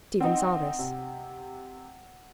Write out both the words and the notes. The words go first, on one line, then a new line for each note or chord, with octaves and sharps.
Stephen saw this.
C4 D#4 F#5
C3